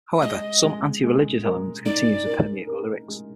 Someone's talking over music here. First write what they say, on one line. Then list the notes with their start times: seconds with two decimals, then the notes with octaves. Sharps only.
However, some anti-religious elements continue to permeate the lyrics.
0.22 G#3 D#5
0.63 G#3
1.04 G#3
1.44 A#4
1.85 D#4 D5
2.26 A#4
2.67 A#4
3.08 G#3